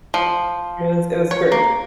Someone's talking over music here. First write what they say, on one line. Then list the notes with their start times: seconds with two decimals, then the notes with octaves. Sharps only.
It was it was great.
0.14 F3
1.31 C#5
1.52 A#3